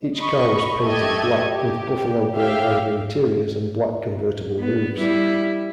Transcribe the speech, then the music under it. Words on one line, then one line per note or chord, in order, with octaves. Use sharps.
Each car was painted black, with buffalo grey leather interiors and black convertible roofs.
D#5 B5 C#6
A3 G4 A4 D#5 G#6
G4
G4 E5 F5 G5
B3
G3 E4